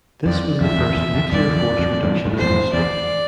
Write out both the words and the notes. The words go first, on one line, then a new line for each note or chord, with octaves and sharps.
This was the first nuclear force reduction in history.
F2 D5
F2 E5
F2
E2
F2
E2
F2
E2 G2 D5
E2
F2
F2
E2 G2
G2
A2
E2 G2 C5
F2 A2
E2 D5